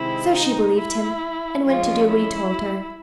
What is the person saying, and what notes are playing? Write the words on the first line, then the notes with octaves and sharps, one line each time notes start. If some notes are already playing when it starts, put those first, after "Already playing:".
So she believed him, and went to do what he told her.
Already playing: C3 D#3 G#3 C4 E4
D#4
E4
F3 G#3 C#4 F4
E4